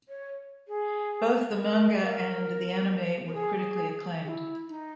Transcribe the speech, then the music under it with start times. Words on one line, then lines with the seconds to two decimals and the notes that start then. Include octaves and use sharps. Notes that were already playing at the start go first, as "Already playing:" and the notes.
Both the manga and the anime were critically acclaimed.
0.09 C#5
0.68 G#4
1.57 A#4
2.02 B4
2.06 A#4
3.27 A#4
3.34 G#4
4.24 G#4
4.28 E4
4.68 D#4